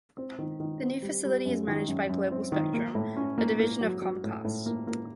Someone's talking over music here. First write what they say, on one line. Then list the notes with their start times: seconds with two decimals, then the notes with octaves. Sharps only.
The new facility is managed by Global Spectrum, a division of Comcast.
0.18 C4
0.39 D#3
0.60 D#3
0.82 C4
1.02 G3
1.25 G3
1.45 F#2
1.68 D#3
1.88 F#2
2.09 F#2
2.31 C4
2.52 D#3
2.74 A#3
2.95 A2
3.17 C#4
3.38 A#3
3.59 A#3
3.81 F#3
4.02 F#3
4.24 A2
4.45 A2
4.66 A#3
4.87 A#3